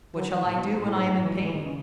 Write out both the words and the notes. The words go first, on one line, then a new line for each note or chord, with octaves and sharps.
What shall I do when I am in pain?
F#3
E3
A2
B2
G#2
A2
G#2
G#2
A2
E3
F#3
E3
D#3
C#3